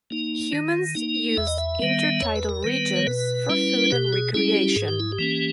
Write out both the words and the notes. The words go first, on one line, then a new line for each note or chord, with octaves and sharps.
Humans use intertidal regions for food and recreation.
A#3 D#4
D#3
A#3 D#4
E2 E5
D#5
E5
D#3 G3 B3
E2 C#5
B4
A#4
D#3 G3 B3 B4
C#5
B2 B4
G3 C#4 E4
B2 G4
G#4
G3 C#4 E4 G#4
G4
G#2 G#4
G4
E4
G4
E3 A#3 C#4